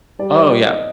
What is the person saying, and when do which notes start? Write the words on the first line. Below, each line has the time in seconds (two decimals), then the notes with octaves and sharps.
Oh, yeah.
0.19 G3 D5
0.35 C5
0.50 D5
0.66 D#5